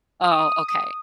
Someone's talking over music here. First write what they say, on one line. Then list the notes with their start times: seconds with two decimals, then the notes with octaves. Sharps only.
Oh, okay.
0.23 D#6